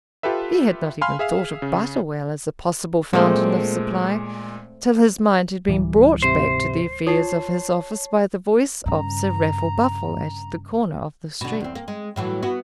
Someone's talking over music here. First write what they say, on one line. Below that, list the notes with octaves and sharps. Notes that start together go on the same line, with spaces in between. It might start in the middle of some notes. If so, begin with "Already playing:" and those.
He had not even thought of Butterwell as a possible fountain of supply, till his mind had been brought back to the affairs of his office, by the voice of Sir Raffle Buffle at the corner of the street.
F4 G4 A4 B4 E5
F5 G#5 B5 C6 F6
G#4 E5 F5
C#3
A#2 G#3 A3 C4
D1 E3 G3
G#2 C3 C5 E5
F4 C#5 A5 C7
G2 C#3 A#5
B2 D3
E2 C4
A#3
G#3
A2 E3 F#3
B3 E4 F#4